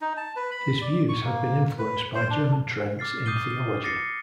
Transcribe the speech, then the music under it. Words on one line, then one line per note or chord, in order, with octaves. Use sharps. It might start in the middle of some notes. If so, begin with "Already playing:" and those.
His views had been influenced by German trends in theology.
D#4
A5
B4
B5
D5
C#6
A#3
B4
C5
D4
D6 F6 A6 C7
D6 D#6 G6 C7 D#7 G7
D6 A6 A#6 C7 C#7